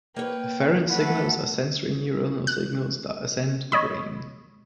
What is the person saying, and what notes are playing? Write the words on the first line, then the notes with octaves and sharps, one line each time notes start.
Afferent signals are sensory neuronal signals that ascend to the brain.
A#3 B4 C#5 G5
E3 A3 A4 B4 F#5
F#6
C#5 D#5 B5